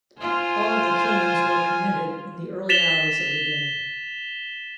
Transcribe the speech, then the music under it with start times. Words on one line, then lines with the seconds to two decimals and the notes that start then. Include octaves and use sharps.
All of the killings were committed in the early hours of the day.
0.19 F4 C5 G#5
2.69 A6 B6 E7 F7 G7